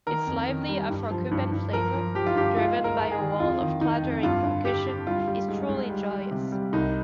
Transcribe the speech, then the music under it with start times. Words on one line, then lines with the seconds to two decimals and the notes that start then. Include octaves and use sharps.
Its lively Afro-Cuban flavor, driven by a wall of clattering percussion, is truly joyous.
0.07 D#3 A#4
0.27 F2
0.48 D#3
0.69 G3
0.90 G2
1.11 F3
1.31 G2
1.52 G2
1.73 F3 A#4
1.94 F3
2.15 F3 G4
2.26 F4
2.35 G2 G4
2.56 G#2 F4
2.77 G#2
2.84 A#4
2.98 G#2
3.11 G#4
3.19 D#3
3.40 F2 F4
3.61 D#3
3.81 D#3 D#4
4.02 F2
4.23 G2 F4
4.44 D3
4.65 D3 G4
4.85 D3
5.07 G3 F4
5.27 G3
5.48 G#2
5.69 G#2
5.90 G3
6.11 G3
6.31 C3
6.52 G3
6.73 C2 D#4